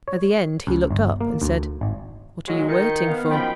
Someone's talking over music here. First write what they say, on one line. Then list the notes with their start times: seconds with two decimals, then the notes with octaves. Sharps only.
At the end, he looked up and said, 'What are you waiting for?'
0.08 C#5
0.67 C#2
0.91 G1
1.21 A#3
1.42 D2
1.81 G#1
2.48 A#2 F#3 G#3
2.68 D#3 G6 C#7
3.07 B3 F5
3.30 F#2 D#3 F3 G5 B5